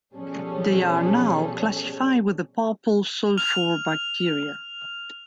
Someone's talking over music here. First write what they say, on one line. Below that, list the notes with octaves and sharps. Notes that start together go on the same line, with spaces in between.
They are now classified with the purple sulfur bacteria.
B2 F3 G3 C#4 G#4 A4
F6 F7